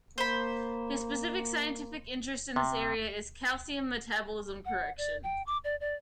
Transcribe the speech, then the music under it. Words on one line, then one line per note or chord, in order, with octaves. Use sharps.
His specific scientific interest in this area is calcium metabolism correction.
A#3 C5 B5
C3
F#5
D5
G5
D6
D5
D5